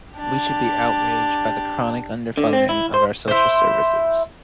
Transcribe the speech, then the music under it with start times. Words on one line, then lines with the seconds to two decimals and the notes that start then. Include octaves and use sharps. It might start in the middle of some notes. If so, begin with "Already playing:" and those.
We should be outraged by the chronic underfunding of our social services.
0.14 D4 G4
2.37 D3
2.53 C4
2.69 E4
2.94 C5
3.28 E4 C5